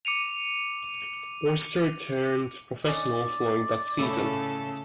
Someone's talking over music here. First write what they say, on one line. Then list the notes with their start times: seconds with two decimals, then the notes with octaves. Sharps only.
Orser turned professional following that season.
0.05 D6 C#7 D#7 F7
2.85 C#4 D#4 D5
3.99 A2 C#3 E4 A4